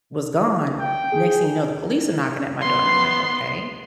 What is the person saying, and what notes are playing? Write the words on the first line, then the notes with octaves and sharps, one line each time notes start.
w was gone, next thing you know, the police are knocking at my door. And I'm like, "Okay.
G5
G#4
B3 C6